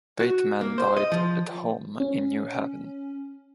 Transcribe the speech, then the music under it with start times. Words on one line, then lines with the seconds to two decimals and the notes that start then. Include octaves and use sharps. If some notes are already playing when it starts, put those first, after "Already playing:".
Bateman died at home in New Haven.
0.20 F#4
0.61 A#3
0.78 C5
0.97 D#5
1.12 F3
2.00 C#4